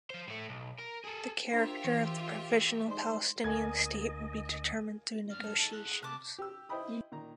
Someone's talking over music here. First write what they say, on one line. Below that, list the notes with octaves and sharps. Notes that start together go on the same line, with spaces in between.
The character of the provisional Palestinian state will be determined through negotiations.
F3 C5
A2 A3
B1
A#4
G#4 A4
D4 F4 G4 A#4 C5 E5
E3
G#3 D#4 C5 D5 C6
D2 A#3 D#5 G#5 G#6
F#2 D4 F6
A4
D#4 G#4 A5
E4 G#4 F#6
G#4 F#5
C3 A5 D6 F6 F#6
G4 E6
E4 C5 D#5 G5 B5 D#6
A#2 D#3 A#5